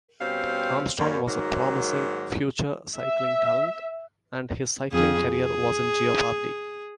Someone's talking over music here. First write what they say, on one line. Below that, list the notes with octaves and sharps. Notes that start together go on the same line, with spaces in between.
Armstrong was a promising future cycling talent and his cycling career was in jeopardy.
B2 G3 C4 C#4 C5 F5
F#2 G3 A#3
G#2 D#3 F#3 A#3 F#4
E5
F2 G#4
G#4